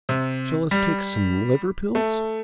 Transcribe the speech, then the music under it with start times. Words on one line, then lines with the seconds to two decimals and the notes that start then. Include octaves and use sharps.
Shall us take some liver pills?'
0.09 C3
0.71 G3
1.95 A3